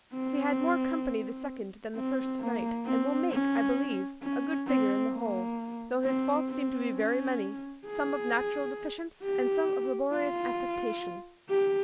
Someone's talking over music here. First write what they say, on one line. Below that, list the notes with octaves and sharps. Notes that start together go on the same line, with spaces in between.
He had more company the second than the first night, and will make, I believe, a good figure in the whole, though his faults seem to be very many; some of natural deficience, and some of laborious affectation.
C4
C4
A#3
C4
C#4
C#4
C4
A#3
C4
C4
C#4
G#4
G4
F4
G4